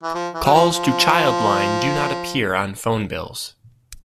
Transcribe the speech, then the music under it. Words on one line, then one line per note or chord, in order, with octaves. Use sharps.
Calls to Childline do not appear on phone bills.
E3
F3
E3
F#3
F3
F3